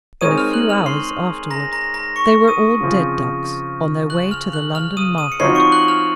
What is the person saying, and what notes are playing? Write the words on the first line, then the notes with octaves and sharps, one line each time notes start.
In a few hours afterward they were all dead ducks on their way to the London market.
G#3 C4 D#4 A#4 C#5 D#6 D#7
F6 F7
F#6 F#7
F6 F7
C6 C7
A#5 A#6
A#5 A#6
A#5 A#6
C#6 C#7
D#6 D#7
C#3 F3 C4
F#6 F#7
F6 F7
F#6 F#7
F6 F7
D#6 D#7
D#6 D#7
C#7
F3 C4 D#4 F#4 C#5 C6 C7
C#6 C#7
F#6 F#7
F6 F7